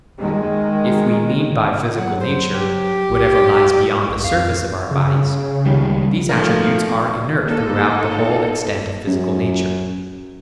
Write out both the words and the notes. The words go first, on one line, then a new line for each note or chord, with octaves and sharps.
If we mean by physical nature whatever lies beyond the surface of our bodies, these attributes are inert throughout the whole extent of physical nature.
D#3 G#3
F#3 F#5
C5
G4
B1
F2 F5
C#3
C#2 D#3 G3
D#3 F3 A3 A#4
A#3 D#4 A4
F#2